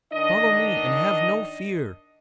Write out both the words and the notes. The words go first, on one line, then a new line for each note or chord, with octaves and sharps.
"Follow me and have no fear."
D#3 D4 D#5